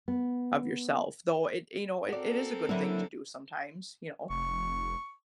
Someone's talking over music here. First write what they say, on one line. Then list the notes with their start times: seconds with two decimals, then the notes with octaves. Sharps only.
of yourself. Though it, you know, it it is a good thing to do sometimes, you know?
0.08 B3
2.09 C4 F#4 A4 A#4 D5
2.69 D3 F#3 A#3 E4
4.30 F1 C#6